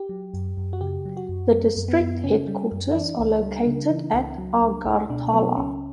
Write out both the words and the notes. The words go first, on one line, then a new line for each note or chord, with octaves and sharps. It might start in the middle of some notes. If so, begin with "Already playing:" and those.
The district headquarters are located at Agartala.
Already playing: G4
F#3
F#2
F#2
F#4
C#3 G4
F#3
F#4
F#2
G3
F#2
B3
F#2
C#3 C#4
G3
F#2
E4
E3 D4
C#2
G3
C#3
E3
C#2
F#3
C#2
C#2
B2 D4
F#3 B3
C#2 C#4